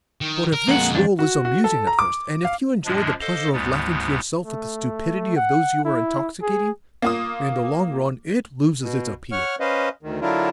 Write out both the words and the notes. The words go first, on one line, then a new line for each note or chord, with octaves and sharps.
But if this role is amusing at first and if you enjoy the pleasure of laughing to yourself at the stupidity of those you are intoxicating, in the long run it loses its appeal.
D#3
A#4
F2 G#3 A#3 F#5
F2 D4
F#4
F#4
A4
A#5
D6
F5
F#2 A#2 F3 G#3 D4
A4 C5 D#5 F5 D6
D2 G#2 G3 B3
A3
F#5
E4
G#4
A#3 F4 D#6
B2
C#5 F#5 C#6 F6
C#4 B4 C5 D#5 F5
D2 D#3
D3 F#3 D4 E4 F4 A#4